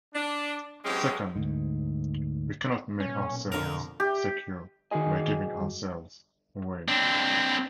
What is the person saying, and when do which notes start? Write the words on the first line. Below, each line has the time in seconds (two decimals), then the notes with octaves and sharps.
Second, we cannot make ourselves secure by giving ourselves away.
0.14 D4
0.84 E3 F#3 G#3 C4 C#4 G4
1.36 D2 G#2
3.00 B1 A#2 C#4
3.52 F2 D3 A#4
4.00 G4
4.91 D#3 F#4 G#4 D#5 G#5
5.58 F#2 D#3 G3
6.88 C4 D4